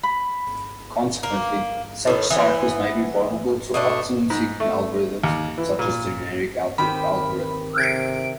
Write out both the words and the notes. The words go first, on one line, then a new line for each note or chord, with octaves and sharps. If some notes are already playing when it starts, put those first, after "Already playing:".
Consequently, such ciphers may be vulnerable to optimum seeking algorithms such as genetic algorithms.
B5
A#3
A2 D#3
E3 B3
B2 A3 D4
G#2
A3
D#2
E3
A#2
D#3 C4 G4 B5
C3 D7